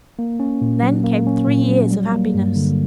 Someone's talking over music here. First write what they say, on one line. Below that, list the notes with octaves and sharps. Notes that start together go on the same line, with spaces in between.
Then came three years of happiness.
A#3
C#4
A#2
F#3
A#3
C#4
A#2
F#3
G3
A#3
G2
D3